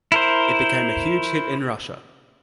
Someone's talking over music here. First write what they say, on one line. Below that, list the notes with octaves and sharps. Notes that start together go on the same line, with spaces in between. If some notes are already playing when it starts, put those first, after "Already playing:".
It became a huge hit in Russia.
E4 A#4 C5